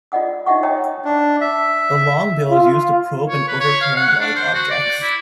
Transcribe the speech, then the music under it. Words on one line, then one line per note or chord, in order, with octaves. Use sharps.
The long bill is used to probe and overturn large objects.
F4 D5 D#5 F#5 D#6
D#4 F4 D#5 E5 F#5 C#6
D#4 C#5 D#5 G5 A#5 D#6
D4
E5
F4
C#5
B4
C#5
F5
F#5
D4
C5
F#4
D5
E4